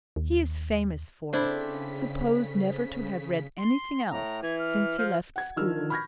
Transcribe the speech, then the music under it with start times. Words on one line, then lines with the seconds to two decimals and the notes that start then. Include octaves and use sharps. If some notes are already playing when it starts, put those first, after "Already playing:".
He is famous for it--supposed never to have read anything else since he left school.
0.16 D#2
1.33 C#3 C4 D4 E4 A4 C5 B6
3.58 C6
4.10 A2 A#5
4.43 E3 G#6
4.59 F6
4.99 F3
5.36 F#5 G#6
5.56 D#3 F3 D4 A#4 E6 F6
5.90 B5 C#6 F6 G6 G#6 A#6